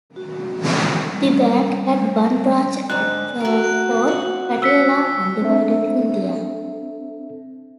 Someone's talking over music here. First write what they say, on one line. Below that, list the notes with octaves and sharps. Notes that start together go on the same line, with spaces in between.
The bank had one branch at Chowk Fort, Patiala, Undivided India.
F#4
G3
G#2 D3 F#6
F#4 A#4
F3 F#4 F#5
E6 B6 C#7
C4 D4 A4 E5